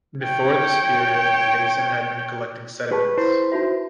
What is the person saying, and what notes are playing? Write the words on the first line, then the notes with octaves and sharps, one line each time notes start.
Before this period the basin had been collecting sediments.
C#5 G5
G4 G#4 B4 A5
E4 C5
D#4 F#4 E5